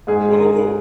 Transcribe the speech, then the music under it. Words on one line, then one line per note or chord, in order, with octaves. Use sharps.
One of the
G#2 G#4